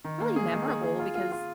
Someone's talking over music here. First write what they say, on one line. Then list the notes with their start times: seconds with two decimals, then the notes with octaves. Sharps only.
really memorable, because,
0.04 D#3
0.20 A#3
0.36 G#4
0.52 D#3
0.68 G#4
0.83 G#4
0.99 F4
1.15 F4
1.32 F4